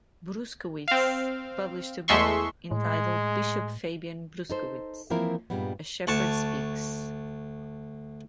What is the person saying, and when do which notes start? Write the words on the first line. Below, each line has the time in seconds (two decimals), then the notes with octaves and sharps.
Bruskewitz published a book entitled "Bishop Fabian Bruskewitz: A Shepherd Speaks".
0.88 C4 F5
2.08 E2 G#3 A3 E5 C6 C#6
2.71 A2 G#3
4.50 D#4 A4 C5
5.10 E3 F3 A#3 C4 E4 A#4
5.50 G2 A#2 G3 G#3 B3
6.07 D2 A5 C#6